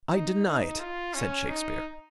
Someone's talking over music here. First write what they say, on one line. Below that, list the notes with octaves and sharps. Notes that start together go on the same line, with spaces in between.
"I deny it," said Shakespeare.
D#4
D#4
F4
C#4
D#4